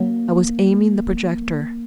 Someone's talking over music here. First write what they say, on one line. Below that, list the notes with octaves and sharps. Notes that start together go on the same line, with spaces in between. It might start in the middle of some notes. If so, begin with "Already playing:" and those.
I was aiming the projector.
Already playing: F#2 F#3 A#3